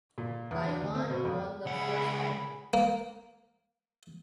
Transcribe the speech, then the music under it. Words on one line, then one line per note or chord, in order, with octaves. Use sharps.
Taiwan won the first title.
A#2
E2
D4
D2
C4
B2
F2
C#2 G#4 F#5 B5
A#3